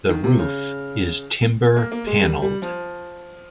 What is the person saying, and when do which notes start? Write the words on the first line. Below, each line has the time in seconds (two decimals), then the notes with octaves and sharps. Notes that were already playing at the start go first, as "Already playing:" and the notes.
The roof is timber panelled.
0.09 D#3
0.24 C3
0.39 C#3
1.77 A#3
1.92 A#3
2.07 G#3
2.22 G3
2.42 G3
2.62 F3